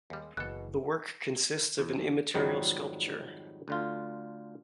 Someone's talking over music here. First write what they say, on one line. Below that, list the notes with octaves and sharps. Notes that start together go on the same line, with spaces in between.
The work consists of an immaterial sculpture.
D#2 G3 G#3
F#1 B2 E3 A4 F#6
E2
F2 G#2 D#3 F#3 G3
D2 D3 F4